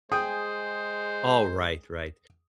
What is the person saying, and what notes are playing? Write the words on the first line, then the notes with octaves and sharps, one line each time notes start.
Alright, right.
G#3 G#4 C5 G5 G#5 D#6